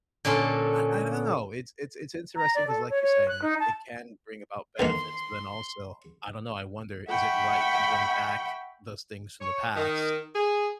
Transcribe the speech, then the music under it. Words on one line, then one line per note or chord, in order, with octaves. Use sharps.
I I don't know, it's it's it's interesting 'cause like you're saying, it it can bring about benefits, but then also, I don't know, I wonder is it right to bring back those things from the past,
A#2 D3 C#4 A4 C6
A#5
D5
A4
C#5
C#5
F#6
D#4
A5
D3 D#3 A#3 C6
E5 F#5 G5 B5 C#6
C#5
D#3
G#4